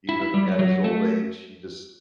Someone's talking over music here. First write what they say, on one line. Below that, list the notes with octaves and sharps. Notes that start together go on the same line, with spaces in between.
even at his old age, he just
E4
E4
G3
F#3
F#3
A3